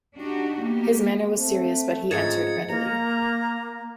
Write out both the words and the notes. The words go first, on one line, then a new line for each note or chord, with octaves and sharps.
His manner was serious, but he answered readily.
D4 D#4 F#4 G4
A#3 B3 G4
A3 C4
G#2 F3 C#4 D#4 G#6 A6 C#7
A#3 A#5